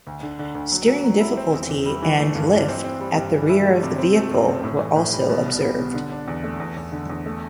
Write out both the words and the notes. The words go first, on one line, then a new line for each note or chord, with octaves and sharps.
Steering difficulty and lift at the rear of the vehicle were also observed.
D2
D3
D3
D2
F#3
F#3
F#3
E4
C4
E2
E2
G3
E3
A3
G2
E3
C4
C4
G3
G2
E3
E4
A3
C3
C4
A3
F#2
C4
A2
E3
A2
G3
B2
C2
G3
B2
D3
D4
E2
A3
E2
E2
D3
E2
A3